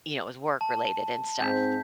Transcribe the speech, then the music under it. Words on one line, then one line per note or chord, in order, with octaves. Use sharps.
you know, it was work-related and stuff.
A5
G#2 C4 G6 B6